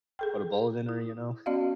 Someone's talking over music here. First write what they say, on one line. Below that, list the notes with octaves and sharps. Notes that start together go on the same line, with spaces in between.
put a bullet in her, you know?
G#4 A4 G5
E4
B3 C#4 F#4 D5 D#5 F5